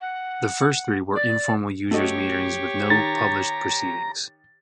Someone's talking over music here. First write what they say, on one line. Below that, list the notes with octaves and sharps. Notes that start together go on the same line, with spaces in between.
The first three were informal users' meetings with no published proceedings.
F#5
D5
A3 F#4 G4 C#5 D#5
D#3 A#5 A6